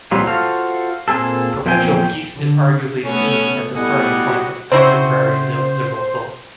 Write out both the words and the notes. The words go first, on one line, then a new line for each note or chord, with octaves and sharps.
Perpetual peace is arguably seen as the starting point of contemporary liberal thought.
A#2 E3 F#3 G3 C4 F4
F4 F#4 A4 C5 F5
A#2 A#3 C4 G#4 A4
E2 A#2 F3 C4 G5 G#5
D3
A3 B3 C#4
G3 A3 B3 E4 D#5 F#5 G#5
F#4
C#3 C4 E4 F#4 C5